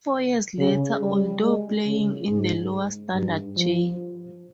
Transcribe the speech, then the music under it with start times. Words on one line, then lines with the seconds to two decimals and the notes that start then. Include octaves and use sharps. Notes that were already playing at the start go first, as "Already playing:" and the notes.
Four years later, although playing in the lower standard J.
0.58 C#3
1.01 G3
1.43 G#3
1.86 C#3
2.28 G#2
3.14 G2
3.56 F3